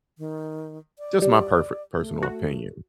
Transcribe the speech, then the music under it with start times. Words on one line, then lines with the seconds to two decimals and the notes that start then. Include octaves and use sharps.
Just my perfe personal opinion.
0.18 D#3
0.99 D5
1.22 G3
1.99 A3
2.23 F#4